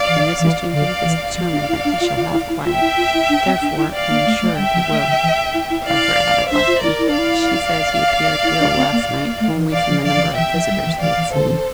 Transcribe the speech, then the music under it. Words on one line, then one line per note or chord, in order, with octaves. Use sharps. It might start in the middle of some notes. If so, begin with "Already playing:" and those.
And Mrs. Jenkins is determined that he shall have quiet; therefore I am sure, he will," Arthur added, laughing. "She says he appeared ill last night only from the number of visitors he had seen.
Already playing: D5 F5
E3
E3
D3 D5 F5
E3
F3 D5 F5
D4
E4
D4
F4
F4
E4
E4
F4 E5 G5
E4
F4
E4
D4
C4
D4
E4
D5 F5
A#3
A3
A3
G3 E5 G5
F3
A3
D3
E3
E4
E4
E4 D5 F5
D4 C5 E5
F4
E4 A#4 D5
E4
D4
E4 D5 F5
E4
D4
C4
A#3
A#3
A3
E3
E3 D5 F5
F3
F3 D5 F5
F3
E3
E3 E5 G5
F3
G3
E3
E3 D5 F5
E3
D3 A4 C5
E3